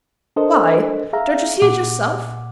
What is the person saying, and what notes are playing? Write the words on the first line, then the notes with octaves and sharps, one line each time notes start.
Why, don't you see it yourself?
D4 A4 A#4 C5 D#5
G#4 E5 F5 A#5
A#2 F#5 D6